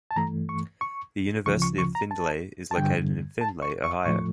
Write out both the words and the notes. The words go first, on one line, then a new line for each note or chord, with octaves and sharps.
The University of Findlay is located in Findlay, Ohio.
A5
G2 E3 A3 A#5
C#6
C#6
D2 C#3 F3 C#6
C#6
C#6
A#5
A5
A5
G2 D3 G3 G5
A5
C#6
C#6
A2 F3 A3 C#6